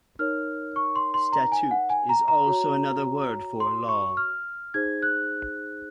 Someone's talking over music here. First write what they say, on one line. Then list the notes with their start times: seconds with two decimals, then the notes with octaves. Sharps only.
Statute is also another word for law.
0.19 D#4 A#4 C#5 F6
0.76 C#6
0.96 C6
1.14 C6
1.32 A#5
1.52 G#5
1.71 F#5
1.90 G#5
2.09 A#5
2.28 A#5
2.46 F#4 C#5
3.60 C6
3.89 C#6
4.17 F6
4.74 D#4 G#4 C5 G#6
5.02 F#6